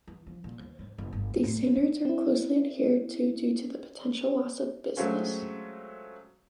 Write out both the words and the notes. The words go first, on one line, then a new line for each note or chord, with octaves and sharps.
These standards are closely adhered to due to the potential loss of business.
E3
F3
A#2
D#2
G#2
F#1
G1
A#3
A2
B1
D3
C4 E4
F#3 G#3 A3 C4 C#4 F4